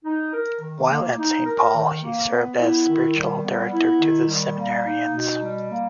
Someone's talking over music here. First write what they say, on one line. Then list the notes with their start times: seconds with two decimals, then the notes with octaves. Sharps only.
While at Saint Paul, he served as spiritual director to the seminarians.
0.04 D#4
0.33 A#4
0.61 D#3
0.90 A#3
1.18 D#4
1.46 A#4
1.75 D#3
2.03 A#3
2.31 B3
2.59 E4
2.88 D#3
3.16 G3
3.44 B3
3.73 E4
4.00 D#3
4.28 G3
4.57 A#3
4.85 D#4
5.14 B2
5.42 G3
5.70 A#3